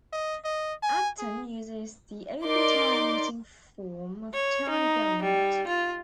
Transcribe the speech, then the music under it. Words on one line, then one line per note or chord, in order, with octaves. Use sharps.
Acton uses the Open Town Meeting form of town government.
D#5
D#5
G#5
G#4
D#4 A#4 D5 C6 D6
C#5
D#4
G3
F4